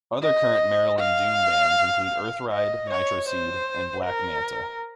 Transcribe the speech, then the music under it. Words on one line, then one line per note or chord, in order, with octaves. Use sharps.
Other current Maryland doom bands include Earthride, Nitroseed, and Black Manta.
D#5
F5
D#5
C#5
C5
A#4